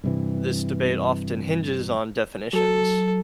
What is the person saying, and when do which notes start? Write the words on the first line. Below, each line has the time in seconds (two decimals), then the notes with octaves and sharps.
This debate often hinges on definitions.
0.04 G2 C3 E3
2.53 F#3 A4